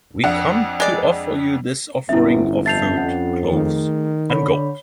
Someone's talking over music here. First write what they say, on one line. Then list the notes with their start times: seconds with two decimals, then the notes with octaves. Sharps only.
We come to offer you this offering of food, clothes, and gold.
0.24 F2 D4 F#5
0.80 G#3 D5
2.09 G1 F#2 B3 C#4 E4 E5
2.66 F2 E5 A5 G6 A6 C7 F7
2.97 C#4 F#5
3.53 D#3 A3 G#4
4.30 D3 C#5 B5